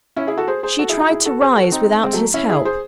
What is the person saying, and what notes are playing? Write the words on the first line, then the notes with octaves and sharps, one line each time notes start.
She tried to rise without his help.
C#4 E4
E4 G#4
F#4 A4
G#4 C5
G#4 C5
F#4 A4
E4 G#4
D#4 F#4
E4 G#4
F#4 A4
G#4 C5
F#4 A4
C4 D#4
G#3 C4
F#3 A3
C#4 E4
E4 G#4
G#4 C5